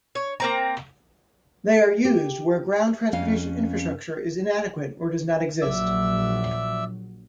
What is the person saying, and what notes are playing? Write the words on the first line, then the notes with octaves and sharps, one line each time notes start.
They are used where ground transportation infrastructure is inadequate or does not exist.
C#5
A#3 C4 A#5
G4
F2 C#4 F5
A#1 F#3 D5 E5 E6